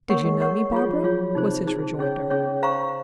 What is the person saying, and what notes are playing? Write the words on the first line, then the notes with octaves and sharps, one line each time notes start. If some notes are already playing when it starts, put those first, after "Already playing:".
"Did you know me, Barbara?" was his rejoinder.
A#3 A#4 C#5 F#5 C#6
G#3
A#4 C#5 F#5 C#6
F#3 F4 G#4 C#5
F3
F#3 F4 G#4 C#5
C3 D#4 G#4 C5
D#4 G#4 C5
C#4 G#4 C#5
C#3 C#4 G#4 C#5
C5 F5 A#5 C#6